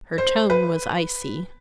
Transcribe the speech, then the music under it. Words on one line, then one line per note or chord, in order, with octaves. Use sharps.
Her tone was icy.
C5
B4